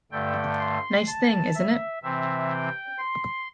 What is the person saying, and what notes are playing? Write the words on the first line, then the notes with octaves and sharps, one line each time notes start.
Nice thing, isn't it?
G2 D3 A3 G5
C6
A5
E5
C3 E3 C4 E5
G5
C6